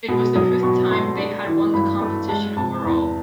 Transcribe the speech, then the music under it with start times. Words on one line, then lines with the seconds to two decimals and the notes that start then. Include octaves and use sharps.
It was the fifth time they had won the competition overall.
0.08 B2
0.36 F#3 D#6
0.63 B2 C#6
0.91 A3 C6
1.18 D4
1.46 E3
1.74 G2 B5
2.01 A3
2.29 G#3 A5
2.57 C3 A5
2.84 E2 A#5